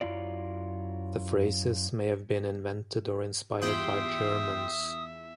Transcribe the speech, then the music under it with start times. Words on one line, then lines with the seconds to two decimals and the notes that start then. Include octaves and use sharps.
The phrases may have been invented or inspired by Germans.
0.01 F#2 F#3 E4 F4 D5
3.62 E2 F4 G4 E5 G5 C6 D#6 F#7